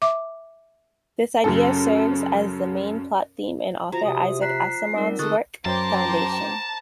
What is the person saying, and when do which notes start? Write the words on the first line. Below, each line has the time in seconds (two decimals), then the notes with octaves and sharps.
This idea serves as the main plot theme in author Isaac Asimov's work, "Foundation".
0.02 E5 D6
1.44 F#2 C#3 A4
3.92 F3 F#4 A#5
4.05 C3 D#6
4.42 A#5 F#6 B6 C7
4.94 G3 C4 D#4 A#4
5.19 D3 G#3 A4 C#6 D#6 F#6 A6
5.65 F#2 C5 G5 A5 A#5 D6